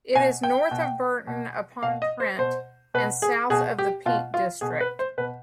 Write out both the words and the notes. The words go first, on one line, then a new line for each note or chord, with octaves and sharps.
It is north of Burton upon Trent and south of the Peak District.
B2 G#5
G5
B2
B2
B2 F5
D#5
C5
B2 C5
B2 B4
G#4
B2 G#4
G4
B2 F4
F4
B2 G#4
B4
C5
B2 B4